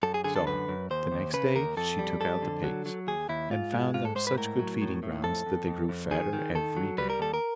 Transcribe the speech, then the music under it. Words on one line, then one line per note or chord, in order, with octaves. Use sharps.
So the next day she took out the pigs, and found them such good feeding grounds that they grew fatter every day.
F#2 A4
G#4
D3 G#4
A4
F#2 B4
F#2
D#2 C5
D#2
C#3 B4
D#2 A#4
F2 A4
G3
F2 A4
D3
F#3
F#3
D#2 G#4
D#2 E4
G#2 F4
G#3
G#2 F4
A4
G#2 C5
B4
A2 A#4
F#3
A2
A2
F2 A4
F2
F2
F2
D#3 G#4
D#3
D#3 A4
F#3
G3 B4
A#4
D#2 A4
A#4